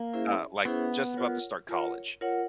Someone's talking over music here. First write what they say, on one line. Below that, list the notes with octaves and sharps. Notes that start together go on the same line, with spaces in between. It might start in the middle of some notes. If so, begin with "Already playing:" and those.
uh, like, just about to start college,
Already playing: A#3
C#4 E4 G#4 C5 E5
B3 C#4 E4 G#4 C5 E5
F4 A#4 C#5 F#5
F4 A#4 C#5 F#5
F4 A#4 C#5 F#5